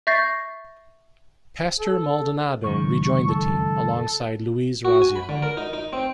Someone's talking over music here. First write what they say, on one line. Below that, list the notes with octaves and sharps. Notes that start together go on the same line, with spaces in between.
Pastor Maldonado rejoined the team, alongside Luiz Razia.
E5 C#6 G6 A6 A#6 C7
A4
C#2 F#2 D#3 C#6
A4
F#4
G#5
B5
D3
A#4
D#4
D#4
C4